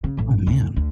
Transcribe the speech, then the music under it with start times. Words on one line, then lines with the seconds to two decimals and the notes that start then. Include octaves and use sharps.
Oh man.
0.04 C#3
0.17 A1 A2
0.47 D2
0.76 D2